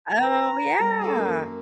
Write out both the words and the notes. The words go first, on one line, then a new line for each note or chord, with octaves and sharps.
Oh, yeah.
B4 A#5
G3
G#4 A4
F#2 A#3